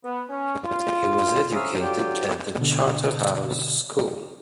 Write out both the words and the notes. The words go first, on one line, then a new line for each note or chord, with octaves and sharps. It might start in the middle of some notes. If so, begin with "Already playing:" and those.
He was educated at the Charterhouse School.
B3
C#4
F4
F2 C#3 F#3 E5 F5 D#6
D3 F#3 F4 G4
B2 D3